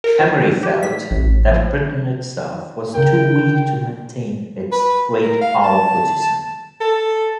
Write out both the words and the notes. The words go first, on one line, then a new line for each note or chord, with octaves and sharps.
Amery felt that Britain itself was too weak to maintain its great power position.
A#4
F3
G4
B6
A1
F3
C#3 A#4 G5
B4
A#4
F5
A5
A4